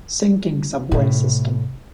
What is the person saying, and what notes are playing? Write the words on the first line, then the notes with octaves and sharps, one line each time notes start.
Sinking Subway System!
A2 C3